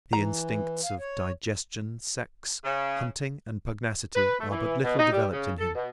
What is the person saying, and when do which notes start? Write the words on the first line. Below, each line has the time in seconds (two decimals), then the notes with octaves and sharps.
The instincts of digestion, sex, hunting and pugnacity are but little developed in him.
0.13 E3 A#5
0.84 F5
0.99 C#5
2.64 C#3
4.16 B4
4.39 A3
4.50 E3
4.84 B2
4.99 D#4
5.13 G3
5.32 C#3
5.59 A4
5.75 B2